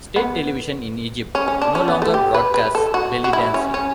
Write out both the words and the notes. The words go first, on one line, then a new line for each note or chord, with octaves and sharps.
State television in Egypt no longer broadcasts belly dancing.
B3
C#4
C#4
D4
C#4
B3
A3
G4
B4
B4
A4
F#4
F#4
E4
C#4
C#4